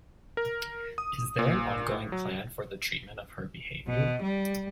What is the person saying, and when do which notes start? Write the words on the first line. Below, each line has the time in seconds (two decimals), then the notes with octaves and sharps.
Is there an ongoing plan for the treatment of her behaviour?
0.37 A#4
0.98 D#6
1.39 A#2
1.91 A2
2.12 F#3
3.86 B2
4.21 G3